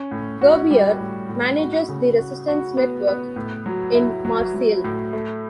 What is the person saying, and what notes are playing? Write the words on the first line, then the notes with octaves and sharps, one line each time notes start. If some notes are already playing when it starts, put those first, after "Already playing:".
Gerbier manages the resistance network in Marseille.
Already playing: C#4
A2
F#4
G3
A2
A2
F#4
C#3
F#4
F#4
B3
B3
A2
F#3
E4
F#3
F#3
A2
A3